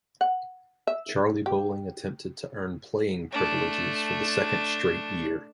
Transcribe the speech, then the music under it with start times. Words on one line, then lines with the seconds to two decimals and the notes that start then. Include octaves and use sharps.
Charlie Bolling attempted to earn playing privileges for the second straight year.
0.21 F#5
0.87 E5
1.46 G4
3.32 A3 D4